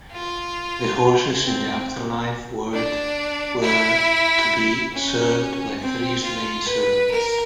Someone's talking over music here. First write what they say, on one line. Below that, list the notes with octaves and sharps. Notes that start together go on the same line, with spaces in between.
The horses in the afterlife world were to be served by three slain servants.
F4
C4
D4
E4
C#4
C4
F4
B4
A#4